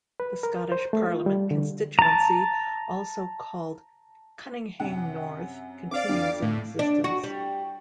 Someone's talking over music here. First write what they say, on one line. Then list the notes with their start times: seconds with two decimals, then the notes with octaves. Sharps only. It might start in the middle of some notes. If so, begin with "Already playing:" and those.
The Scottish Parliament constituency also called "Cunninghame North" continues in existence.
0.20 B4
0.43 A#4
0.72 C5
0.93 A3
1.07 F4
1.26 G3
1.51 D3
1.99 A5 A#5
4.80 F#2 C3 F#5
5.91 C4 D5 F5 D6
6.08 F2 D3
6.42 A2
6.79 D4
7.04 F#4
7.24 G3